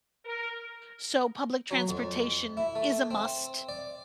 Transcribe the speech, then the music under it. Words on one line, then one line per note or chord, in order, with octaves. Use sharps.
so public transportation is a must,
A#4
F#3
F2
E4
A3
C4
D5